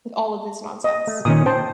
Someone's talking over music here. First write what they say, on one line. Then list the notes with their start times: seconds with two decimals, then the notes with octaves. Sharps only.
with all of this nonsense,
0.84 D#5
1.07 A3
1.25 A#2 D#3 C#4 D#6
1.46 C5 G5 A5